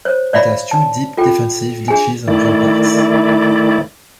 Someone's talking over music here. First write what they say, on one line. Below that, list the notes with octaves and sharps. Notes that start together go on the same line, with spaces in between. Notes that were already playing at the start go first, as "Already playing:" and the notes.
It has two deep defensive ditches and ramparts.
C5 C#5
C#5 D5 E5 F5 B5
A5
F4 A4 G5
D4 G#4 G#5
D#3 A3 E4 D5